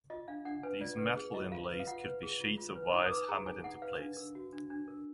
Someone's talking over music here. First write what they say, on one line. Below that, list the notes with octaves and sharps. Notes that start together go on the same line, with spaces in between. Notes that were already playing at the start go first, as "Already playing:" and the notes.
These metal inlays could be sheets or wires hammered into place.
F4 D#5
D4 F5
D4 F#5
B4 G#5
F4 D5
B4
G#4
F4 D#5
F4 F5
B4
F5
F4 F#5
B4
G#4
F4
F4
B4
D#4 A#5
D#6
B4 D6
G#4 A#5
D#4 G#5
D#4 F#5
B4 F5
D4
A#4
F#4
D4
D4
A#4